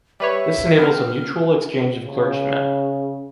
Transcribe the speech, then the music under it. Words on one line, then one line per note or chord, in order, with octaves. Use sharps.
This enables a mutual exchange of clergymen.
G3 B4 C#5 E5
B3 C4 F6
C#3